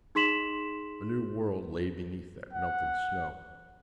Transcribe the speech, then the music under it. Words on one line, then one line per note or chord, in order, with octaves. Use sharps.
A new world lay beneath that melting snow.
D#4 G#4 C6 B6 E7 F#7
F#5